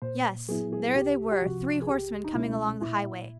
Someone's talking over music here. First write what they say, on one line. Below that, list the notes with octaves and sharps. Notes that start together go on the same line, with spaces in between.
Yes, there they were, three horsemen coming along the highway.
A#2 C5
F#3 B3 E4 G#4
G#4
G#4
C2 G4
G4
C3 F3 F#4
G#4
C#2 G4
D#4
B2 G#3 C#4 E4
A#2 E4